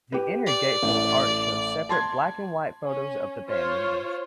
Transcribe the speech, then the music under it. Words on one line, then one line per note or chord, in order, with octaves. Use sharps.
The inner gatefold art shows separate black-and-white photos of the band members.
G4 B4
D5
A1 A3
A5 C6 G#6
C#4
F4 C5 C#5